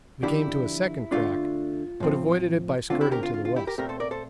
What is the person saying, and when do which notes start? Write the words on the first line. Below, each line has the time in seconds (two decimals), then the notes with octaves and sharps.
We came to a second crack, but avoided it by skirting to the west.
0.23 D3 F3 A#3 D4 E4 G4
1.11 D3 A3 D4 F4
2.00 A2 F3 C4
2.90 D3 A3 C4 F4
3.01 E4 G4
3.11 G4 A#4
3.23 F4
3.34 F4
3.45 F4
3.56 E4 G4
3.67 G4 A#4
3.78 A#2 A3 C4 G4 A#4
3.89 A4 C5
4.00 A#4 D5
4.11 A4 C5